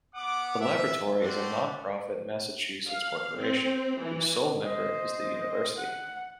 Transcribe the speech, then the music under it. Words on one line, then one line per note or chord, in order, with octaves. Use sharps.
The Laboratory is a non-profit Massachusetts corporation, whose sole member is the university.
B3 F#5 D6
E5
A3 F#4 G4 D5 C6
F5
C4
E3
C5 D#5
F#5